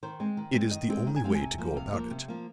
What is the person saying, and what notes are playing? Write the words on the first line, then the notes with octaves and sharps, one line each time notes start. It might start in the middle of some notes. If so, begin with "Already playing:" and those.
It is the only way to go about it.
D#3 C5
G#3 C4
D#3
G#3 C4
D#3 D#5
G#3 C4
D#3
G#5
G#3 C4 F5
G#5
C3
F3 A#3
C3 F5
F3 A#3
C3
F3 A#3